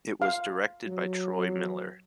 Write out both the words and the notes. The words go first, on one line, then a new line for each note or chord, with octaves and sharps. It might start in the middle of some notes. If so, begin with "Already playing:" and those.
It was directed by Troy Miller.
F5
F#3